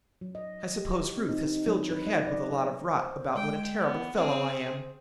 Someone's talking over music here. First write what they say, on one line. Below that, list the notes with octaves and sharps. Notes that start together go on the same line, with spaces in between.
I suppose Ruth has filled your head with a lot of rot about what a terrible fellow I am.
F#3
D#5
G4
C4
D#4
D#4
F#3
B4
D#5
D5
G#4
C5
G#3 G5
B3
C4 G#4 C5